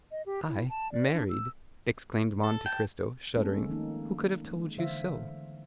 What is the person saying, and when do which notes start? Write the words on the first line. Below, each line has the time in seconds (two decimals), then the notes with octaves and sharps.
"I, married?" exclaimed Monte Cristo, shuddering; "who could have told you so?"
0.11 D#5
0.26 G4
0.48 E4
0.69 A5
0.92 D5
1.13 D4
1.29 E6
2.44 A4
2.66 G5 A5
3.36 G#3 A#3 C4 C#4 A4
3.68 D#3 F3 A3 A#3 D#4
4.51 G#3
4.77 D3 E3 C5 E5 F5